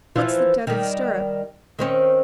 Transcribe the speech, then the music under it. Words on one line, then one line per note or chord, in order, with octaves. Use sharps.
"Foot slipped out of the stirrup."
E3 F3 F4
D#3 G3
D#3 C4 C#4